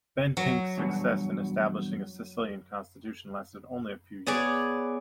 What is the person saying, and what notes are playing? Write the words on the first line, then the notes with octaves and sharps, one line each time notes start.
Bentinck's success in establishing a Sicilian constitution lasted only a few years.
F#3
E2 G2 B2
B3 G#4 C#5 D5